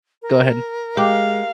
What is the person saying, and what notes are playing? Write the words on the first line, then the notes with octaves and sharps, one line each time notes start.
go ahead.
A#4
G#3 G4 F5 G5 D6